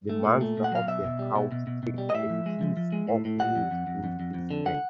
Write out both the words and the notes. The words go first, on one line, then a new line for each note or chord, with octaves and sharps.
The master of the house takes a piece of meat in his hand.
A3
A#2
A3
A#2
F#5
F#3 F5
B2 E5
B2
G3
B2
B2
B2
B2
G3
D#5
A2 E5
F3
G#3
F3
F3
G#3
A2
A2
G3 F#5
F2
F2
F2
F2
F2
F2
D3
F#5